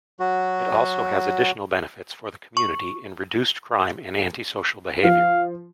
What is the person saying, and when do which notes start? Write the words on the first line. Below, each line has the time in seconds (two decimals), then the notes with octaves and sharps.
It also has additional benefits for the community in reduced crime and anti-social behaviour.
0.20 F#3 F#4
2.57 C#6
5.03 F3 F5